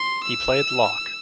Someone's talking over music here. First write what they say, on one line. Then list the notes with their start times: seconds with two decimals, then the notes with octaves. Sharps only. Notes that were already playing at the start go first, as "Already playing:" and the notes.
He played lock.
Already playing: C6
0.23 E6